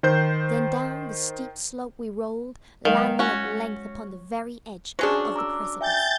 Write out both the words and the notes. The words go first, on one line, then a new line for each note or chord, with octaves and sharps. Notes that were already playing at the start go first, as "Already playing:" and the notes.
Then down the steep slope we rolled, landing at length upon the very edge of the precipice.
D#3 C5 G6
D#3 F#3 G#3 F5
C#4 F#4
F#3 C#4 D4 G#4 C5 C#6
A#5 D6 E6
E5 G5 G#5 G6 A6